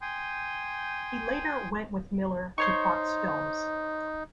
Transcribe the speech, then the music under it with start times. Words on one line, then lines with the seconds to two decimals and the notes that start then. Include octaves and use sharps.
He later went with Miller to Fox Films.
0.01 G5 G#5 C6 D#6 G6
2.58 D#4 C5 C#5 C#6